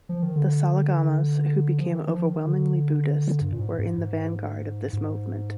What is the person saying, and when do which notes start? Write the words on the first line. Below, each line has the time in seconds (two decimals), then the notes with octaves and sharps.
The Salagamas, who became overwhelmingly Buddhist, were in the vanguard of this movement.
0.09 F3
0.23 D#3
0.36 D3
1.80 F3
1.88 D#3
2.07 F3
2.27 D#3
2.45 D3
3.41 G2
3.52 A#2
3.59 G#2
3.79 G#2
3.98 G#2
4.93 G#2